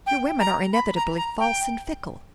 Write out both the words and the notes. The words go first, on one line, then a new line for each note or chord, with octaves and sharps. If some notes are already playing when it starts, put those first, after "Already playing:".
Your women are inevitably false and fickle.
G5
A#5
B5
A#5
A#5
G5